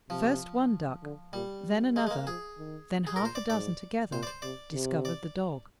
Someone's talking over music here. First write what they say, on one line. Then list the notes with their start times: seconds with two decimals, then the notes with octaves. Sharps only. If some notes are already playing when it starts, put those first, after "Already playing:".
First one duck, then another, then half a dozen together, discovered the dog.
0.10 C3 F3
1.03 D3
1.33 A#2 G3
1.96 G#3
2.07 G#3
2.11 A#3
2.26 F3 G#4
2.58 D#3
3.07 G#4
3.16 A#2 A#4
3.25 C5
3.35 D5
3.50 G#2 D5
4.12 A#2 C5
4.23 D5
4.27 C5
4.42 C3 D5
4.74 C3
5.05 D5